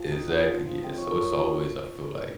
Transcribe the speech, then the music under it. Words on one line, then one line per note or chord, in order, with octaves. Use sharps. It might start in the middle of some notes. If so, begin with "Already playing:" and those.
Exactly, yeah. So, as always I feel like
Already playing: F3 C4
D#4
D#4 F#5
F3
F3
C4 D#5
F3 C#5
A#4
D#4 D#5